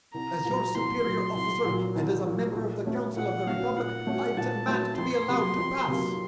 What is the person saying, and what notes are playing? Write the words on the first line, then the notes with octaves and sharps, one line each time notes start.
"As your superior officer and as a member of the Council of the Republic I demand to be allowed to pass!"
C2 A#5
A#2 F#3
C2 C6
A#2 F#3
C2 C6
A#2 F#3
C2
A#2 F#3
A#2
A3 C#4 F#4
A#2 F#5
A3 C#4 F#4 F5
A#2 F#5
A3 C#4 F#4
A#2 A5
A3 C#4 F#4
F2 C6
C3 F#3 A#3
F2
C3 F#3 A#3